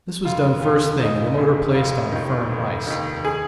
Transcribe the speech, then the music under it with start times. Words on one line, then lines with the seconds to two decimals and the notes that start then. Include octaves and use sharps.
This was done first thing and the motor placed on firm ice.
0.25 F1 F4
0.62 D#2 C#3 F4
1.00 F1 D#4
1.37 D#2 C#3
1.75 F1 F4
2.12 D#2 D#3
2.49 F1
2.87 D#2 D#3
3.25 G#4